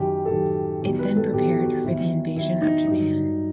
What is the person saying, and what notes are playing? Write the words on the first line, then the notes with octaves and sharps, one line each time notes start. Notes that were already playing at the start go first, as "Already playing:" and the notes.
It then prepared for the invasion of Japan.
Already playing: F#2 D#3 F#3 G4
A4
F#2 D#3 F#3 G4
E2 D#3 F#3 G4
B4
A4
E2 D#3 F#3 G4
F#4
E2 D#3 F#3 E4
E2 D#3 F#3 E4
D#4
G2 F#3 D#4